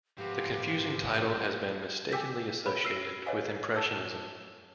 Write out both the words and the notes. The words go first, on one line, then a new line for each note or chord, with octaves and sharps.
The confusing title has been mistakenly associated with impressionism.
G#2 F3 C4 F#4 G4 B4 F5
G5 G#5 D6 E6 G6 B6
A#4 C#5 B5
E6 F6 C7 D#7
B4 C#5 D#5 F5 G#5
A5 E6